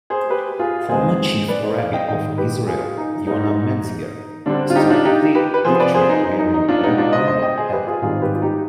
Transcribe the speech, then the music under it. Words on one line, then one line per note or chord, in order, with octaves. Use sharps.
Former Chief Rabbi of Israel, Yona Metzger, is typically pictured wearing a Homburg hat.
G#4 C5
G4 B4
F4 G#4
F2 D#3 G#3 B3 G#4 C5
B4 D5
C5 D#5
D5 F5
D#5 G5
G#2 D#3 G3 D#5 G5
G4 B4
G4
F4 G#4
D#4
G#2 G3 B3 D#4
D3 G3 C4 D4
F4
D#4 G4
D4 F4
D#4 G4
G4 B4
B4
C3 F3 B3 G#4 C5
B4 D5
G#4 C5
D#4
D#4
D#4
D#4
D4 F4
B2 G#3 B3 D#4 G4
D4 F4
C5 D#5
C5 D#5
D#5 G5
G#4 C5
G4 B4
F4 G#4
G#2 D#3 G3 C4 F4 G#4
G4 B4
F4
D#4 G4